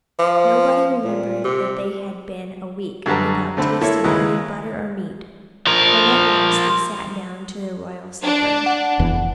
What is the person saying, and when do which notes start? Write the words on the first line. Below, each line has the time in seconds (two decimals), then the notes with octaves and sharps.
Nobody remembered that they had been a week without tasting either butter or meat when at last they sat down to their royal supper.
0.19 F3
1.04 A#2
1.44 C3
3.06 F#2 D3 G3 B4 A5 A#5
3.57 D3 A3 C4 A5 B5
3.81 A#3 E4 A4 C#5 E5
4.04 D#2 C#3 G#3 E4 B4 A#5
5.67 F3 A#4
8.23 D4
8.66 F#5
8.99 F1 E2 E3